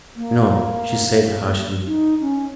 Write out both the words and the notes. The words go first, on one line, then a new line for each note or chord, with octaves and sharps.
"No!" she said harshly.
A#3
D#4
C#4